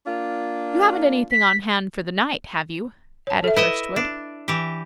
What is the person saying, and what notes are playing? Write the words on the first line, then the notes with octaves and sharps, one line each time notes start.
"You haven't anything on hand for the night, have you?" added Hurstwood.
A#3 D4 F4
B6
C#5 A5
A4 E5
E4 B4 D#5 E5
D4
E3 G4